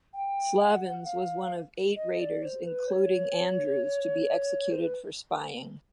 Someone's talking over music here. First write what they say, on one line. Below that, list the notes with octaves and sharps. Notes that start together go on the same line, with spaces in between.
Slavens was one of eight raiders including Andrews to be executed for spying.
G5
F#5
F5
D#5
D5
C5
B4
C#5
C5
B4